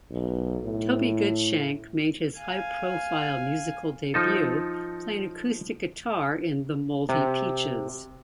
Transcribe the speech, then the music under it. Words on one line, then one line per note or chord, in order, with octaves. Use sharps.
Toby Goodshank made his high-profile musical debut playing acoustic guitar in The Moldy Peaches.
B1
A2
F5 G#5
F3 D#4 A4
C3